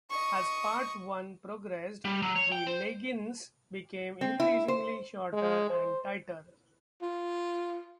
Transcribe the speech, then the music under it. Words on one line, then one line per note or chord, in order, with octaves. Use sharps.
As Part One progressed, the leggings became increasingly shorter and tighter.
D#5 C#6
G3
F#3
C#5
G5
C5
C4
E4
C5
G#3
C5
F4